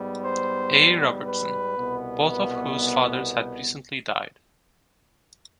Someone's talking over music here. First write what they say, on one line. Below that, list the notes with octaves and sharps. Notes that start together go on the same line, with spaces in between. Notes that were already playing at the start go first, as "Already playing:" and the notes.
A. Robertson, both of whose fathers had recently died.
Already playing: G#2 G3 B3
C5
B4
C2 B2 B3
B4